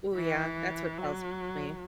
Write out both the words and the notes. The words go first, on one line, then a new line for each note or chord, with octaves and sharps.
Ooh yeah, that's what tells me.
E3
F#3